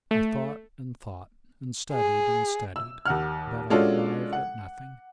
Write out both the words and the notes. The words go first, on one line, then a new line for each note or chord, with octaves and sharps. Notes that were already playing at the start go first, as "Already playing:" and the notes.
I thought and thought and studied and studied; but I arrived at nothing.
A3
G#4
E6
D#2 F#5 F6
G#3 C#4 D4 F4 F#4 A4
F#5